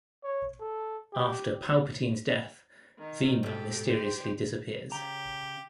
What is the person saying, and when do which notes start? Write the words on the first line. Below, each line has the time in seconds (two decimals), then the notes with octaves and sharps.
After Palpatine's death, Vima mysteriously disappears.
0.23 C#5
0.60 A4
1.13 G4
2.99 D#3
3.43 G#2 B2 G4 A4
3.87 G4 C5
4.92 C#3 G4 A#5